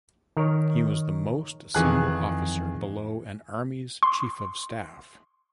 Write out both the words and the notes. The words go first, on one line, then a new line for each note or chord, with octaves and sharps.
He was the most senior officer below an Army's Chief of Staff.
D#3 A#4 C#5
F2 D#3 E3 G#4 G#5 F#6
C6